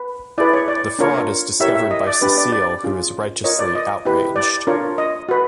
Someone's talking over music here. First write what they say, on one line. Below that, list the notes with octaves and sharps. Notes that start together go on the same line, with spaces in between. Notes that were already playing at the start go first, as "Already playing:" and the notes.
The fraud is discovered by Cecile who is righteously outraged.
Already playing: B4
E4 G#4 B4 D5
C#5
D5
D4 F4 A#4 C#5
E4 G4 A#4 C#5 E5
E5
D#5
D5
D4 G4 B4 D5
D5
D5
C#4 F4 G#4
F4 A#4 C#5 D#5
D5
D#5
E4 G4 B4
D5
D4 F4 A#4 C#5
D#5
F#4 B4